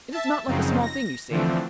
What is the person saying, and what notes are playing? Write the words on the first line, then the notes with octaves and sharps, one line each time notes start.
It is not like a small thing, you see.
E5 A5
F#2 C#3 F3 F#3 C4 D#4
A#6
D3 E3 F3 A3 C4 D4